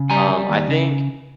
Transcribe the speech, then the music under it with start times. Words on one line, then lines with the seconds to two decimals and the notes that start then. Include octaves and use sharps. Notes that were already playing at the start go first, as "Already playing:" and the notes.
Um, I think
Already playing: C#3
0.10 G3 G#5 A#5
0.30 G3
0.49 D#2
0.69 C#3